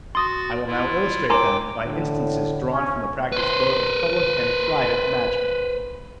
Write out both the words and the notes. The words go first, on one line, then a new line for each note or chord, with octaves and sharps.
I will now illustrate them by instances drawn from the practice both of public and private magic.
F#4 C6 D#6 A6
E4 F4
A#4 C#5 G5 G#5 A#5 C6 D6
A2 D3
C#4 C#6
B4 C5